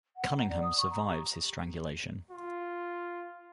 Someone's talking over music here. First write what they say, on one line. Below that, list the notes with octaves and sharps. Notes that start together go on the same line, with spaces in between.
Cunningham survives his strangulation.
F#5
A#5
D5
D#6
C#6
A#5
G4
F4